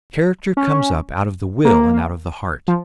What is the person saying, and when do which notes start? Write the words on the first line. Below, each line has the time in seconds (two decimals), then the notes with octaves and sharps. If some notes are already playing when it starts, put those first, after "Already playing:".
Character comes up out of the will and out of the heart.
0.57 C#4
1.65 A#3
2.68 F3